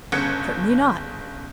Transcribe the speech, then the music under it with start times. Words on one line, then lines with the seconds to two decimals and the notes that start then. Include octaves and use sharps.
"Certainly not."
0.12 G1 C#3 F#6 G#6 C#7